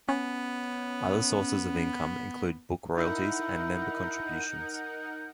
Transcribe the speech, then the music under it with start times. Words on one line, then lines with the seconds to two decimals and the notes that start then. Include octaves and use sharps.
Other sources of income include book royalties and member contributions.
0.08 B3 C#4
2.97 D#4 E4 A#4 F#5 G6